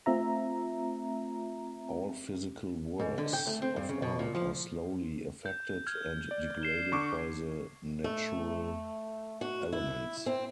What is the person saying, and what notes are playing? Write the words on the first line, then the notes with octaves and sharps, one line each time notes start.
All physical works of art are slowly affected and degraded by the natural elements.
A3 C4 F4 E5 A#5
G#2
D3
G5
A3
C4
G2
C#3
B2
A#2
F3
G6
F6 G#6
D5
C7 E7 G7
D3 C#6 D6
A3
F#4
E4
C4